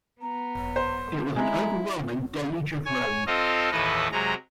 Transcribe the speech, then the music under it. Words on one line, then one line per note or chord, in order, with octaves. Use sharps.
It was an overwhelming deluge of rain.
B3 A#5
C5
G#3 E4 A#5
C#5 G#5
C4 F4 A4 D#5 F5
D#2 A2 E3 A4 B4 D#5
C3 F#3 G#3 A#5